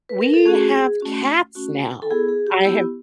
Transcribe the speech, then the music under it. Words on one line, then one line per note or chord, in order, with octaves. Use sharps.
We have cats now, I have
B4
A#4
A4
A3 C#4 F#4 G#4
A3 C#4 F#4
A3 C#4 F#4
A4
B3 E4 G#4
G#4
G4
B3 E4 G4